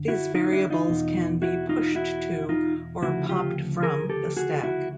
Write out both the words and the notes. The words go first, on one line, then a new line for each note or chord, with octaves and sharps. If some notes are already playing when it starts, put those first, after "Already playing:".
These variables can be pushed to or popped from the stack.
Already playing: F#2 D3
E4 F#4
D#4 F4
D4 E4
D#4 F4
E2 B2
E4 F#4
D#4 F4
E4 F#4
D#4 F4
D2 C#3 F3 E4 F#4
F4 G4
G#4 A#4
G4 A4
F#4 G#4
E4 F#4